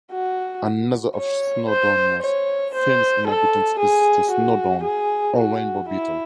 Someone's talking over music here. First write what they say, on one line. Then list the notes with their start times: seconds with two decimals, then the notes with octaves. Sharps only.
Another of Snowdonia's famous inhabitants is the Snowdon or rainbow beetle.
0.12 F#4
1.16 C#5
1.69 C5
2.22 C#5
2.75 C5
3.27 A4
3.79 G#4
4.31 F#4
4.83 G#4
5.36 F#4
5.89 E4